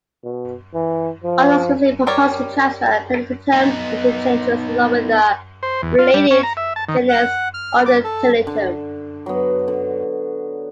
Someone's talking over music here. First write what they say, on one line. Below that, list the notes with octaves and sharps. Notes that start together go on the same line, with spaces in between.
Authors recently proposed to transfer "Pennisetum" into "Cenchrus", along with the related genus "Odontelytrum".
B2
E3
F3
G3 A#4 C#5 D5
B3 D#4
C5
E2
F4
G3
C#4
A#5
E5
A5
D#3
F#5
F6
D6
A4
D3
F#3 B3
D3